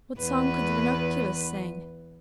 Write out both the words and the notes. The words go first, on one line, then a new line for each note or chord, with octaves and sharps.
What song could the Ranunculus sing?
E2 B4